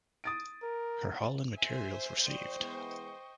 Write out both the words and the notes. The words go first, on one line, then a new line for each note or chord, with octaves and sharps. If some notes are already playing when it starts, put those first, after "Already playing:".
Her hull and materials were saved.
D#6 A6 D7
A#4
C5 E5 G#5
F2 D5 D#5 G5 C#6
E3 G#3 B3